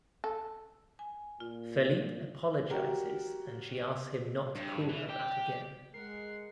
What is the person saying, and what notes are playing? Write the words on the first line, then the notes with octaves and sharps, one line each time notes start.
Felipe apologizes and she asks him not to call her that again.
A4
G#5
A#2 F4
F#4 G4 A#4
G2
E3
G4
G#3 A#4 F#5 C7